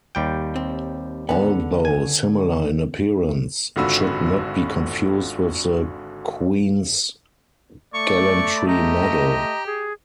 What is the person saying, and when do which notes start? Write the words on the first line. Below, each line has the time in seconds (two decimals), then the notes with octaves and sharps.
Although similar in appearance, it should not be confused with the Queen's Gallantry Medal.
0.15 D#2 G3 G5
0.56 C4
1.29 D3 B3
1.85 G#5
3.76 G#1 D3 F4 F#4 B5 E6
7.94 A3 D5 C#6
8.67 G4 D#5 A#5
9.66 G#4